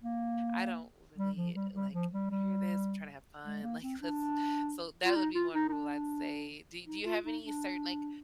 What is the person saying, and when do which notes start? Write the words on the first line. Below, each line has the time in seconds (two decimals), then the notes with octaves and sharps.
I don't really, like, wanna hear this, I'm trying to have fun, like, let's so that would be one rule, I'd say. Do do you have any certain like,
0.03 A#3
1.18 G3
1.37 F3
1.55 G3
1.75 G3
1.94 F3
2.12 G3
2.31 G3
3.45 G#3
3.63 A#3
3.82 C4
4.02 D4
5.05 F4
5.16 D#4
5.35 F4
5.54 D#4
5.69 D#4
5.73 D4
6.87 D#4
7.05 F4
7.25 D#4
7.43 D4